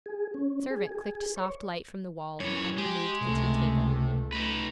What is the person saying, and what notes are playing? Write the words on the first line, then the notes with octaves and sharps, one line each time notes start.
A servant clicked soft light from the wall, and removed the tea-table.
G#4
C#4
G#4
G#4
C#5
F#2 E3 C#5
G#3 G4
C#2 C3 A3
D#4 B4